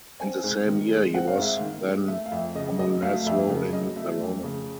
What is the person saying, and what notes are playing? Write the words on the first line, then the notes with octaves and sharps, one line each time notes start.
In the same year he was then Amonasro in Verona.
C4 G#5
G#2
D#3
G#3
C4 F#5
F5
G#2 E5
F5
D#3
G#3
A3 E5
F5
F2 E5
C#3 D#5
F#3 D#5
A3 F5
F5
F2 E5
C#3
F#3 D#5
A3 E5
F2
C#3